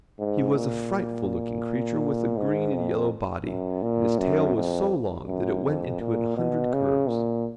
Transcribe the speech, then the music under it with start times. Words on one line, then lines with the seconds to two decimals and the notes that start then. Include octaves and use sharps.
He was a frightful looking creature with a green and yellow body, and his tail was so long that it went into a hundred curves.
0.19 G#2
0.56 A#2
2.37 G#2
2.74 F2
3.46 F#2
3.82 A#2
4.19 F#2
4.55 F2
5.27 F#2
5.64 F2
6.00 A#2
6.37 B2
6.73 C#3
7.09 A#2